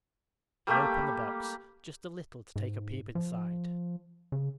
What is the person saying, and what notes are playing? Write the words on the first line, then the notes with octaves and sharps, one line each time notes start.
She opened the box just a little to take a peep inside.
G3 A3 A#3 G4
G#2
F3
C#3